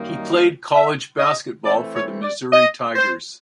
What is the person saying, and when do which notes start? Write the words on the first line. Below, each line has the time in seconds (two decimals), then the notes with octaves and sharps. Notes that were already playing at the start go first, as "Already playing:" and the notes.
He played college basketball for the Missouri Tigers.
Already playing: F#2 D#3 G3 A#3 D#4
0.30 F5
0.74 E5
1.19 D#5
1.63 E3 A3 C4 D5
1.93 C#5
2.22 D5
2.52 D#5
2.96 C5